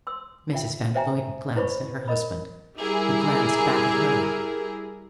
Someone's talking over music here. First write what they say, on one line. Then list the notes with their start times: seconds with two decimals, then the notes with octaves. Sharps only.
Mrs. van der Luyden glanced at her husband, who glanced back at her.
0.07 C6 E6
0.52 D#4 F4 E5 G5
0.95 C5 E5 G5 G#5 A#5
1.56 E4 B4 C5 D5 B5 C#6
2.08 A#4 D#5 B5
2.76 G3 E4 G4 G#4 A#4